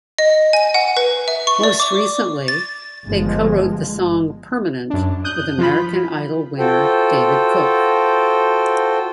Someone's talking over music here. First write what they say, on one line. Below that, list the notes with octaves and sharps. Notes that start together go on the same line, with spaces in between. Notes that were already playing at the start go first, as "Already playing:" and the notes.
Most recently, they co-wrote the song "Permanent" with American Idol winner David Cook.
D#5
G#5
F#5
B4
E5
C#6
D5
D6
A6
G1 F3 G#3
F#2 D4
D#6 F#6 G6
F3 F4 B5
F4 F#4 A4 C5 G5